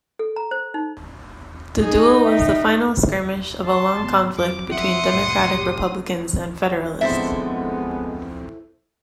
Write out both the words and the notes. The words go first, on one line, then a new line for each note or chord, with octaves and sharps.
The duel was the final skirmish of a long conflict between Democratic-Republicans and Federalists.
A4
A#5
C5
D#4
D#4 G#4
E5 G5
A5 C6
G#1 B3
F2 F#3 D6
E5 F#5 C6 D#6
C2 F2 A2
G4
F2 D3 G#3 B3 E4 A4 C5 E5